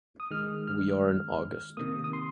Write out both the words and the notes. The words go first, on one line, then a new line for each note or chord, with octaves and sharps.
We are in August.
D#6
D#3 G#3 F6
F6
C3 D#3 A#3 D#6
D#6
C6